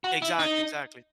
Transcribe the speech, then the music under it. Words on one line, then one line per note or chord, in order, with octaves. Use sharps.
Exactly. Exactly.
F#4
E4
D#4